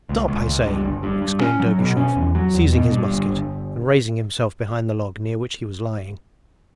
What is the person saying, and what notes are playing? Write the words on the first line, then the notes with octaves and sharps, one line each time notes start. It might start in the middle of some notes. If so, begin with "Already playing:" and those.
'Stop, I say!' exclaimed Ergushov, seizing his musket and raising himself behind the log near which he was lying.
C#2
C#2
C#2
G2
G1
G2
G2
C#4
F#3
B2
C#4
E2
F#3
E2
B2
G2
G1
G1